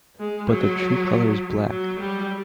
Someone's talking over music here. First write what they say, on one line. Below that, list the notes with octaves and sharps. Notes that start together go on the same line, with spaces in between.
But their true color is black.
G#3
F#3
F#3
G3